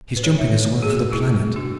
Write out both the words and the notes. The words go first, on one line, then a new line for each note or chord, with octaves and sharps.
He's jumping us all over the planet.
B4
E3 G#3 B3 A4 C#5
C#5 E5
A4 C#5
F#3 C#4
G#4
F#4 A4
F#3 B3 D4 E4 G#4
D3 F#3 B3 D4 F#4